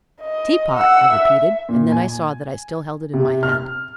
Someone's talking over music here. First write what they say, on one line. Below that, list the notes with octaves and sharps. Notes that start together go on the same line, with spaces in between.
"Teapot?" I repeated, and then I saw that I still held it in my hand.
D#5
F#5 E6
E5
A#2
G#5
C3
F6